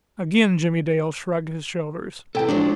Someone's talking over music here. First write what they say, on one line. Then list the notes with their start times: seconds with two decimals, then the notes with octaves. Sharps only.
Again Jimmie Dale shrugged his shoulders.
2.35 C3 E3 A4 G5
2.49 F3 F#3 G#3 D4